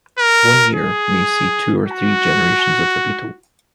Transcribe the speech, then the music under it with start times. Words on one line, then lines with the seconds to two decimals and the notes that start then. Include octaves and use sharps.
One year may see two or three generations of the beetle.
0.19 A#4
0.75 G#4
1.87 F#4